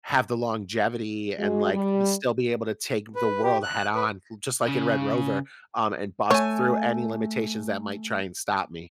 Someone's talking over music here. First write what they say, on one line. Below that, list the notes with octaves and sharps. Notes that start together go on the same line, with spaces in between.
have the longevity and like th still be able to take the world head on just like in Red Rover, um, and bust through any limitations that might try and stop me.
G#3 F#4
G3
B4
G4
F#6
B4
C#3
A3 C#5 G#5